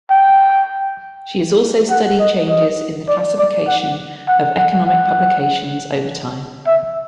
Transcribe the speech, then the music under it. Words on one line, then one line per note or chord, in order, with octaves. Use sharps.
She has also studied changes in the classification of economic publications over time.
G5
F#5
D#5
D#5
D5
D5
F#5
F#5
F#5
F#5
E5